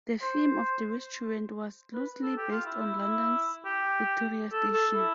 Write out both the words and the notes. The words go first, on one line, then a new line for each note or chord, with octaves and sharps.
The theme of the restaurant was loosely based on London's Victoria Station.
C5
B4
A4
G4
F4
E4
E4
E4
G4
A4
A4
E4